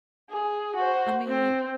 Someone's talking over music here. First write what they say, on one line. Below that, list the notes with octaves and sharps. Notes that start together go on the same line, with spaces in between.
I mean,
G#4
F#4 C5
C4